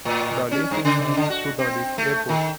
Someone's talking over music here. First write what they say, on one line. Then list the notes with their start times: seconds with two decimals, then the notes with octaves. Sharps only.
Dolise is home to Dolisie Airport.
0.05 A2
0.51 C#4
0.71 G2
0.85 C#3
1.17 D3
1.30 F#4
1.59 C4
1.98 A3
2.29 D#3